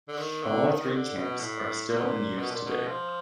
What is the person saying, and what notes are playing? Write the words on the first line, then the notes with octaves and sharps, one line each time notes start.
All three camps are still in use today.
D3
D#3
D3
D#3
D#3
D3
B2
A2
A#2
B2
A#2
B2
A#2
B2
F3